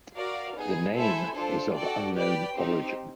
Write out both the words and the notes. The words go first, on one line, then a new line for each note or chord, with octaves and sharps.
The name is of unknown origin.
F#4 A#4 D5 F5
B3 D#4 G#4
E4 A4 C5 E5 G#5
D4 F4 A4 C5
F#4 A4 D5 G5
G4 B4 D5 G5
C4 D#4 G4 C5